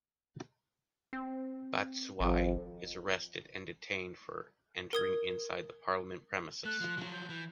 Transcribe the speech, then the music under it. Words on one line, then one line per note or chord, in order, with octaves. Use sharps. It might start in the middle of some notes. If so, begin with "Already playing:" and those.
Batsiua is arrested and detained for entering inside the Parliament premises.
C4
G#1 F2
A#4 D#6 G#6
A3 F#6
F3
F3 F#3
G6
E3